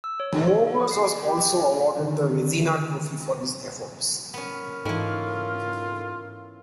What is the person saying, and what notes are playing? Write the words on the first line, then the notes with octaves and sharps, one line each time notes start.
Mowers was also awarded the Vezina Trophy for his efforts.
E6
C#5
A4
C#5
A4
F#5
C7
G4
D3 D#3
B3 C#4 A#4
G#2 E3 C#4 D#4 F4 A4